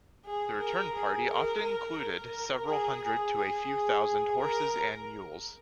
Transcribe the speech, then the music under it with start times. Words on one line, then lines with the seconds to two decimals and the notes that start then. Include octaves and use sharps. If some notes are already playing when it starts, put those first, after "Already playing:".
The return party often included several hundred to a few thousand horses and mules.
0.26 G#4
0.60 A#4
0.95 G#4
1.29 A#4
1.64 A#4
1.98 A#4
2.68 G#4
3.02 G#4
3.36 G#4
4.40 A#4